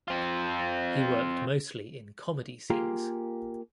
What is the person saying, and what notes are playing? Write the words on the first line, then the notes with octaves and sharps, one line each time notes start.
He worked mostly in comedy scenes.
C4 F4
A#3 F4 G4 G#4 A#4